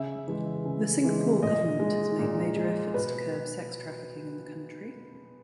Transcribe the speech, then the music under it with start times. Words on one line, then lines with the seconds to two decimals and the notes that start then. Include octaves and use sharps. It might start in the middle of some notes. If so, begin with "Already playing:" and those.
The Singapore government has made major efforts to curb sex trafficking in the country.
Already playing: C#3 E5
0.28 E3 G#3
0.65 C#3
1.04 E3 G#3
1.42 A#2 D#5
1.80 G#3
2.19 A#2
2.56 G#3
2.94 B2 B4